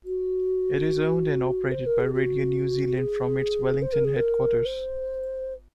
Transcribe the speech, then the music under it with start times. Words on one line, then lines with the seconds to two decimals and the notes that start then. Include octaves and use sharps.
It is owned and operated by Radio New Zealand from its Wellington headquarters.
0.05 F#4
1.71 C5
1.86 A#4
2.00 G#4
2.13 F#4
2.97 G#4
3.82 C5
3.93 A#4
4.04 G#4
4.16 A#4
4.65 C5